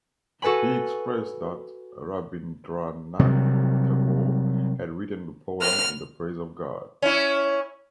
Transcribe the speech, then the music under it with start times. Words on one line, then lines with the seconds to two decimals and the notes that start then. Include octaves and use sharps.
He expressed that Rabindranath Tagore had written the poem in the praise of God.
0.42 F#4 A4 B4 G#5 B5
3.19 C3 D#3 F#3 G3
5.61 F6
7.02 C#4 E4